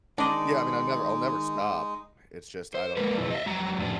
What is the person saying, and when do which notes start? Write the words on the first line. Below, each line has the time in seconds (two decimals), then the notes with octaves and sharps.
Yeah, I mean, I never I'll never stop. It's just I don't know.
0.18 D#3 G#3 D4 D#4 D5 D#5 D6
2.75 C5
2.97 G#3 A#3 A#4 B4
3.18 F#2 B2 F3 E4
3.31 D#5 E5
3.46 F2 F#3 G3 A#5
3.78 F2 A2 D4